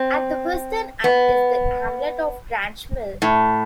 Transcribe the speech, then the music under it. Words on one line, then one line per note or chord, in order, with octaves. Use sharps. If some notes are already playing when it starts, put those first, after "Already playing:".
At the western end is the hamlet of Grangemill.
Already playing: C4
B3
A2